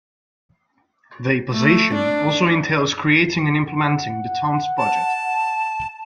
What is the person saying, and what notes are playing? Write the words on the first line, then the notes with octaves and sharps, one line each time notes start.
The position also entails creating and implementing the town's budget.
A3
D4
F#5
A5